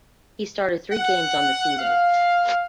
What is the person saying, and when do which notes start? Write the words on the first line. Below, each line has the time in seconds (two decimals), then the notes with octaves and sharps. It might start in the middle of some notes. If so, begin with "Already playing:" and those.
He started three games on the season.
0.92 F#5
1.79 F5